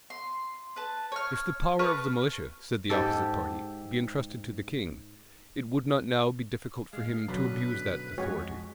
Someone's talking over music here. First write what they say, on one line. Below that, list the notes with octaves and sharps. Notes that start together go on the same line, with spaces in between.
If the power of the militia, said the opposite party, be intrusted to the king, it would not now be difficult for him to abuse that authority.
C6
B4 A5
C#5 F6
A#4 B4 A5 C#6
G#2 G4 A4
G#3 F5
F#2 B2 D3 F#3 B4
F2 G#3 F#4 C#5